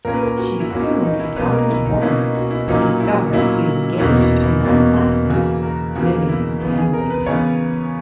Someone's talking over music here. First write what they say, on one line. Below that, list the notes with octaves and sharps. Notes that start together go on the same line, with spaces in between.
She soon encounters Warner, but discovers he is engaged to another classmate, Vivian Kensington.
A#2 A#3 C#4 A#4
B4
A#4
F#4
E4
A#2 A#3 C#4 F#4
D#4
E4
D#4
E4
B2 A#3 C#4 B4
A#4
E4
D#4
B2 A#3 C#4 E4
F#4
E4
A#2 F#3 A#3 C#4 D#4
E4
D#4
A#2 F#3 A#3 C#4 E4
E2 B2 A#3 C#4 E4
F#4
E4
E4
E2 B2 A#3 C#4 F#4
F#4
C#3 E3 A#3 F#4
A#4
C#3 E3 A#3 F#4
E4
C#3 E3 B3
G#4
A#4
B4
C#3 E3 B3 C#5